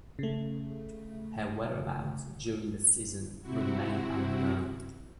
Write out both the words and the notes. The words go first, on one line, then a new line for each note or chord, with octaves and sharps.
Her whereabouts during the season remain unknown.
C#3 A3
C3 C4 E4 F#4